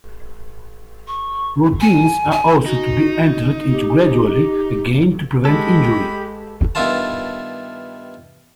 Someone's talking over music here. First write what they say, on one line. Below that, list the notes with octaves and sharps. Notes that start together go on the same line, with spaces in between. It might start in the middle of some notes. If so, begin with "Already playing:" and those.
Routines are also to be entered into gradually, again to prevent injury.
C#6
G#5
G#5
D#4 F#4
G4
G#3 G4 A4 B5
G2 D#3 B3 E4 F4 A5